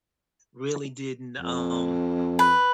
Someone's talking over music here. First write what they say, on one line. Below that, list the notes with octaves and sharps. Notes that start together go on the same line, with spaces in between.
really didn't, um,
F2
B4